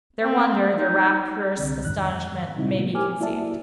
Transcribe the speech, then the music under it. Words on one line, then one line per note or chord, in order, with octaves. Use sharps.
Their wonder--their rapturous astonishment--may be conceived.
C4
D#4
C2 D3 C4
F2 G#2 D#3 F#6
A#2 C#3 G3 C4 D#4 E4
F#3 G#3 A#3 B3
G4 A#4 C5 G#5 D6 F6
A#3 E4 F#4 D5 E5 A5